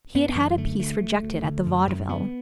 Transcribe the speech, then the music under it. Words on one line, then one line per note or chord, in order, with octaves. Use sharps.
He had had a piece rejected at the Vaudeville.
F#2 B3
F#2 E3
D3 A3
D2 A3
D2
D2
D3
F#2
F#2
D3 B3